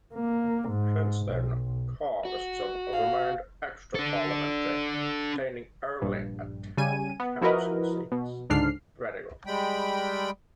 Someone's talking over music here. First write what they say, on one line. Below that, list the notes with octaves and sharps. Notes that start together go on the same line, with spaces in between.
Since then, Carlists have remained extra-parliamentary, obtaining only town council seats.
A#3
G#2
B1
F#4
F5
D4 A4
A#1 G2
C#3 G3 G#5 D#7
B3
F3 E4 F#4 A#4 B4 D#5
B2
C#2 G#2 D3 D4 F6 C7
G3 G#3 G5 B5